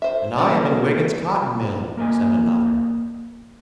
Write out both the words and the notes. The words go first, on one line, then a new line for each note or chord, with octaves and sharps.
"And I am in Wygant's cotton mill," said another.
C5 E5
G#3 A#3 C4 C#4 D5
A#3 A#4 D5 D#5 G#5